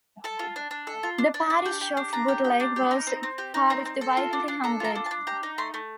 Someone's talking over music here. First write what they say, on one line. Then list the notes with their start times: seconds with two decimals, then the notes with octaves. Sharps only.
The parish of Butleigh was part of the Whitley Hundred.
0.24 A4 A5
0.39 F4
0.56 D4
0.71 D4
0.87 A4
1.03 F4
1.18 D4
1.34 D4
1.50 D4
1.66 G4
1.81 G4
1.97 D4
2.13 D4 A#5
2.28 G4
2.44 G4
2.60 D4
2.76 G4
2.91 D#4
3.07 C4
3.23 C4
3.38 G4
3.54 D#4
3.70 C4
3.85 C4
4.01 A4
4.17 F4
4.33 D4
4.48 D4
4.64 A4 A#5
4.80 F4 A#5
4.96 D4
5.06 A5
5.11 D4
5.27 G4 A#5
5.43 D#4
5.58 A3 C6
5.74 A3